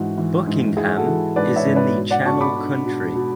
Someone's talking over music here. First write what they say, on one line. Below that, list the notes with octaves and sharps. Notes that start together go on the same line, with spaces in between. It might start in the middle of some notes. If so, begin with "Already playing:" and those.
Buckingham is in the Channel Country.
Already playing: G#2 E3 F#4
E3
G#2
G#2 E4 G#4
F#4 A4
E3
G#2 B4 D5
C#5 E5
G#2
B4 D5
B2
D5 F#5
B2 A5 C#6
B5 D6
D4
B2
B2